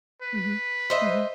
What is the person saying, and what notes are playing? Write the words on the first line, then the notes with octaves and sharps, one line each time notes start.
Mhm, mhm.
B4
C5 D#5 E5